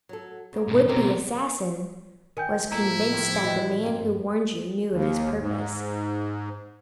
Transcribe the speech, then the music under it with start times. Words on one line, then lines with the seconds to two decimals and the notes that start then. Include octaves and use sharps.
The would-be assassin was convinced that the man who warned you knew of his purpose.
0.09 F#3 A4
0.53 C#3 A#3
0.68 G#2 B2
0.89 D2 B2 C4 G4 A#4
2.37 D#3 A#4 G#5 G6
2.72 A2 F3 A#3 E4 F4 A4 A#5
3.11 D#3 G#3 A#3
3.43 D#3 E3 G#3 F#4 D#5
3.83 G2 C4 C#4
4.92 D#2
5.39 G#2